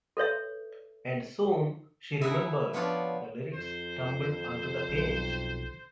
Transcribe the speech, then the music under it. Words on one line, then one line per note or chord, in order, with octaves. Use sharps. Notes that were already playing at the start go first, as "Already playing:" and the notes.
And soon, she remembered, the lyrics tumbled onto the page.
A4 B4 C#5 E5
E4 G#4 E5 F#5 A#5
F3 B3 D4 F4 C#5 D5
F2 C5
B1